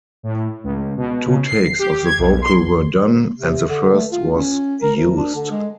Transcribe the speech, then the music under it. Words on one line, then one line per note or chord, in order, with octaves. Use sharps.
Two takes of the vocal were done, and the first was used.
A2
C#2
B2
C#3
C7
G4
G#6
B1
C6
C3
D3
A3
F4
C#4
A#4
D2
D4
D3
G#3